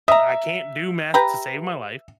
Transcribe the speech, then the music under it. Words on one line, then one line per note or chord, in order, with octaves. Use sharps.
I can't do math to save my life,
D#5 E5 A#5
G4 B4 A#5